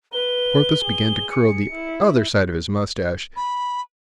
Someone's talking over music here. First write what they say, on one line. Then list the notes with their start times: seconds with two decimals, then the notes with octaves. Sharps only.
Porthos began to curl the other side of his mustache.
0.13 B4 G7
0.85 G#4
1.31 C#7
1.71 E4
3.36 B5